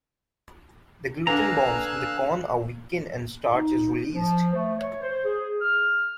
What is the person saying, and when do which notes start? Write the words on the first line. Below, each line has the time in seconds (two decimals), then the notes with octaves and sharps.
The gluten bonds in the corn are weakened and starch is released.
1.27 D3 D4 B4 F5 G#5 A#5 E6 F#6
3.54 D#4
4.15 F3
4.54 A3
4.78 C#5
5.01 C5
5.24 G#4
5.60 F6